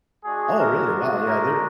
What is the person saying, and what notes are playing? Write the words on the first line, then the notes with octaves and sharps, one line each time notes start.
Oh really? Wow, yeah, they're
G#3 D4 F#4 G#4
A#4
A#4